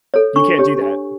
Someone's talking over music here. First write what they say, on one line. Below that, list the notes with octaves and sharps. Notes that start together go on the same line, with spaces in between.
You can't do that.
A4 C#5
D4 C#6
G4 C#5
D4